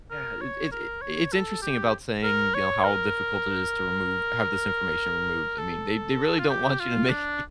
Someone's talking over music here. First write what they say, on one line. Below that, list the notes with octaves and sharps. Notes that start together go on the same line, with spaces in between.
yeah, it it it's interesting about saying, you know, how difficult it is to remove have this information removed, I mean, they they really don't want you to make
A#4
C#5
A#4
C#5
A4
G4
A#4
C#5
A#4
A4
F4
G4
F4
D4